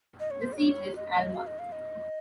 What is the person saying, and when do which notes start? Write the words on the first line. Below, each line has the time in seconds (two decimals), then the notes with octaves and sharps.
The seat is Alma.
0.20 D#5
0.31 C#5
0.42 C5
0.53 D#5
0.57 C#5
0.96 D#5
1.15 D#5
1.34 F5
1.47 D#5
1.59 F5
1.72 D#5